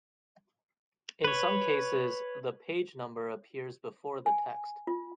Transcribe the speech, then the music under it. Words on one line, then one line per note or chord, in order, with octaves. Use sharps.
In some cases, the page number appears before the text.
B4 C#5
G#5
F4